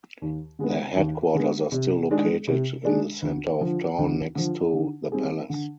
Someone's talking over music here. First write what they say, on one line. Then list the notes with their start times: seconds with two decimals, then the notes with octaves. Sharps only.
Their headquarters are still located in the centre of town, next to "the palace".
0.22 D#2
0.59 D3 G#3 B3
0.96 D#2
1.35 D3 G#3 B3
1.72 C3
2.10 D#3 G#3 D4 G#4
2.48 C3
2.85 D#3 G#3 D4 G#4
3.22 D2
3.61 D3 F3
3.98 D2
4.35 D3 F3
4.73 D3
5.12 G3 C4 D#4 G#4
5.50 D3